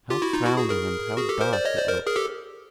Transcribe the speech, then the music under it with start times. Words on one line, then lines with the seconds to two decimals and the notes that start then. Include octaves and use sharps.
How frowning and how dark it looks!'
0.10 F4 G4
0.22 E4 F#4
0.33 D#4 F4
0.45 E4 F#4
0.57 F#4 G#4
0.70 G#4 A#4
1.17 F#4 G#4
1.29 G4 A4
1.41 A#4 C5
1.53 C5 D5
1.65 C#5 D#5
1.77 C5 D5
1.88 A#4 C5
2.07 G#4 A#4
2.16 G4 A4